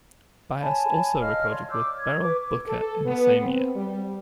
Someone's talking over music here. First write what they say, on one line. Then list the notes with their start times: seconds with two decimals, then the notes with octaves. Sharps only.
Byas also recorded with Beryl Booker in the same year.
0.62 C#5 G#5 A5 B5
1.21 D#5 F5 F6
1.49 C#5 D5 C6
1.70 D6 E6 G6
1.98 G#6
2.22 B4 C#6 D6
2.68 A4
3.05 B3
3.41 C4
3.76 G3